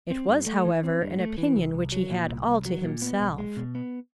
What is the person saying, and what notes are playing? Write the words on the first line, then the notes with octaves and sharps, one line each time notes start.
It was, however, an opinion which he had all to himself.
C4
G2
A3
E3
C4
G2
A3
E3
C2
C2
F#3
A#2
C2
C2
F#3
A#2
B3
B1
G#3
B2
B3